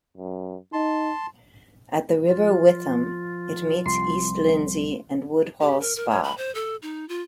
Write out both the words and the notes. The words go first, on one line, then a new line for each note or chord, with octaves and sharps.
At the River Witham, it meets East Lindsey and Woodhall Spa.
F#2
D#4 A5 C6
F3 F4
C2 C6
G4
A#4
A#4
C#5
B5
C5
A4
D#4
F4